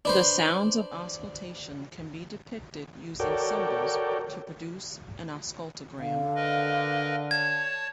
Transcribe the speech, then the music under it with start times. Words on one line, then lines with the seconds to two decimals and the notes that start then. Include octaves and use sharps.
The sounds of auscultation can be depicted using symbols to produce an auscultogram.
0.05 D4 B4 C5
3.20 F#4 A4 A#4 C#5 D5 G5
5.99 D3 F5
6.35 A#4 B4 D#5
7.31 C#5 A5 G#6